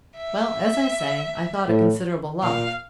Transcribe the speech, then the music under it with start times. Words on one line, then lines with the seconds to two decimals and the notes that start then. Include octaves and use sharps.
Well, as I say, I thought a considerable lot.
0.17 E5
1.68 A2
2.43 A#2 F5